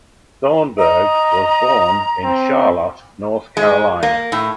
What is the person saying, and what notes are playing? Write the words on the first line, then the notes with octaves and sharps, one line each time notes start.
Thornburg was born in Charlotte, North Carolina.
D#5 A#5
C4
G#3
A#3
A2